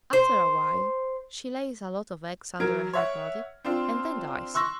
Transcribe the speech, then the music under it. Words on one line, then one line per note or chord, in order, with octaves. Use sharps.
After a while she lays a lot of eggs under her body, and then dies.
C5
F#3 A#4 F6 G#6 D7
C#5 E5 F#5
C4 D4 F4
C6 C#6 E6 F#6 A#6